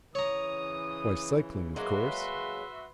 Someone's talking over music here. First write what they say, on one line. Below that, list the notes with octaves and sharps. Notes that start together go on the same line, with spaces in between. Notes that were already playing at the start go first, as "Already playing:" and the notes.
"Why, cycling, of course."
C#3 E3 C#5 A#5 D#6
F#3 G#3 A#3 F#4 B4 E5 C6